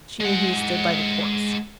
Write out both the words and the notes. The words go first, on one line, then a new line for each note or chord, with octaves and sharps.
She and he stood by the corpse.
G#3 F#5